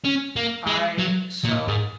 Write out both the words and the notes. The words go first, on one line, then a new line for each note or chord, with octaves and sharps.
I so,
C#4
A#3
G#3
F#3
A#2
G#2